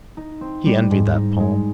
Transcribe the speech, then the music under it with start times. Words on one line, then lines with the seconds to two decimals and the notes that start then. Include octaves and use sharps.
He envied that poem.
0.17 D#4
0.41 C4
0.66 G3
0.91 G#2
1.15 D#4
1.40 G#3